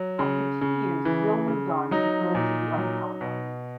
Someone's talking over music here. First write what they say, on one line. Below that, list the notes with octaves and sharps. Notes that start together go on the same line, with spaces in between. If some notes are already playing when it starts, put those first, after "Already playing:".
After two years Grill moved on to the birds of the archipelago.
Already playing: F#3
C#3
C#3
E3
C#3
F#3 D#4
A#2
F#3
B2